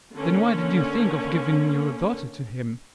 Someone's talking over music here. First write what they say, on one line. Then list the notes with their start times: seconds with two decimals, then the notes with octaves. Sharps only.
"Then, why did you think of giving your daughter to him?"
0.13 D3 A#3 C#4